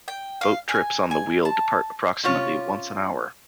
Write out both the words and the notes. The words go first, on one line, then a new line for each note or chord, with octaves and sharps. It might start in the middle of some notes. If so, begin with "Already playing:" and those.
Boat trips on the wheel depart approximately once an hour.
G5
F5
G#5
G#5
A5
C3 C#4 F4 C#5